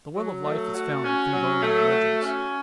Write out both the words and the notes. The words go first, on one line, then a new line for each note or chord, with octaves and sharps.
The Well of Life is found in Fingalian legends.
F#3
A3
F#4
C#4
F#3
A3
F#4
C#4